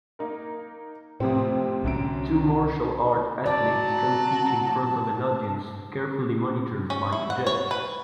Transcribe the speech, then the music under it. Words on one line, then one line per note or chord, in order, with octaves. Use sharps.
Two martial art athletes compete in front of an audience, carefully monitored by the judge.
A#3 D#4 A#4
F2 A2 C3 C4
G1 C2 F#2 D7
F#3 D5 A5
C#4
E4
F#5
C#5
B4